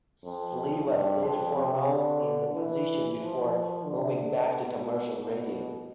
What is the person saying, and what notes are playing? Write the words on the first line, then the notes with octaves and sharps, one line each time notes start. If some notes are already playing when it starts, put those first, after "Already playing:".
Sliwa stayed four months in the position before moving back to commercial radio.
F2
G2
F2
C3
D3
E3
F3
F3
D3
B2
B2